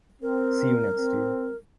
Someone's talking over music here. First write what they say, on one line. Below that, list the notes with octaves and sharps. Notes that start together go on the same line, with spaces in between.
See you next year.
C4 A#4
C4